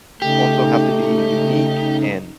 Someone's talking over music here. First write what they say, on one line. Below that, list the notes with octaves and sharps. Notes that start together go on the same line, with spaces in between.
also have to be unique, and
C#3 A3 D#4 G4